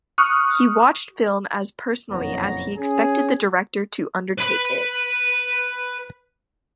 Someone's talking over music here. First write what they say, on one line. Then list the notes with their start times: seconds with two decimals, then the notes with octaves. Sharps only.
He watched film as personally as he expected the director to undertake it.
0.18 C#6 D#6 F6 F#6
2.10 F#1 F2 A#2 B3 C#5 A#5
2.76 C#4 G#4
4.39 B4 B5